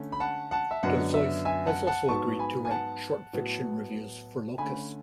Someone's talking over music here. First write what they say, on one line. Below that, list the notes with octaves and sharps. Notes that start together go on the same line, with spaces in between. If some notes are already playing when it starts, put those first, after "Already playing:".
Dozois has also agreed to write short fiction reviews for "Locus".
Already playing: D3 A3 C#4
B5
F#5 A5
F#5 A5
E5
F#2 D3 G#3 B3 D4 F#5
E5
E5 G#5
F#5 A5
F#5 A5
G#2 F#3 B3 A5 C#6
G#5 B5
G#5
F#5 A5
A2 F#3 B3
D3 A3 C#4 G#5 B5